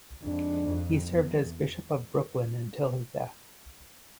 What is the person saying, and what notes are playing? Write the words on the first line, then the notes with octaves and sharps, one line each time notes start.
He served as Bishop of Brooklyn until his death.
F2 G#2 G#3 D4
F2
E2